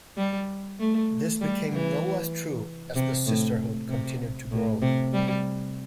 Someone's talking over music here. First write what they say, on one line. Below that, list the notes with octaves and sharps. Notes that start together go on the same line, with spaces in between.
This became no less true as the sisterhood continued to grow.
G3
A3
G3
E3
C3
A2
C3
A2
C3
G3